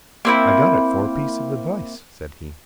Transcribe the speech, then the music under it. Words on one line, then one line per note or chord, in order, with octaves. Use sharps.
"I got it for a piece of advice," said he.
A#3 C4 E4